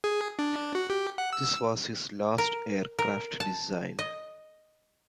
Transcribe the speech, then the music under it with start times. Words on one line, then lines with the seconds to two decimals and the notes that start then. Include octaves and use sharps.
This was his last aircraft design.
0.04 G#4
0.39 D4
0.75 F#4
0.90 G4
1.18 F#5
1.33 E6
2.38 A#4
2.99 A#4
3.40 A5
3.99 D#5